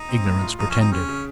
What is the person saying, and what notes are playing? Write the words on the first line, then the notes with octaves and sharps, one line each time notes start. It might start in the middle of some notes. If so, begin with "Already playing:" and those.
Ignorance pretended.
Already playing: D#4
C4
A2
F4
F3 D#4
C4 C#4
D#4
C#3 C#4
C#3